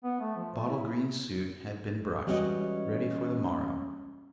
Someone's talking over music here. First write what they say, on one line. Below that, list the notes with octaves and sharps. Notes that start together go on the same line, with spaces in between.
The bottle-green suit had been brushed, ready for the morrow.
B3
A3
F3
A3
E4
E3 G3 G#3 C#4 F#4 D#5